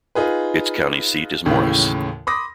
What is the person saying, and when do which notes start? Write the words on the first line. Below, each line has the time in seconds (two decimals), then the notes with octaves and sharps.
Its county seat is Morris.
0.15 D#4 F4 G#4 B4
1.46 D#2 A2 C#3 E3
2.27 B5 C6 D6 D#6 A#6